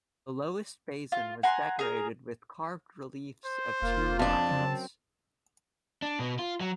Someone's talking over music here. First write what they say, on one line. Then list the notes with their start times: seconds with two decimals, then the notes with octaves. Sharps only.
The lowest basin was decorated with carved reliefs of two lions.
1.12 F4
1.43 F#5 G#5 A#5 C6
1.79 G#4 A#4
3.46 C5
3.82 F1 A#3 F4
4.19 F2 D4 A5
4.51 F#2 C#3 C4
6.02 D4
6.20 B2
6.39 F4
6.60 F#3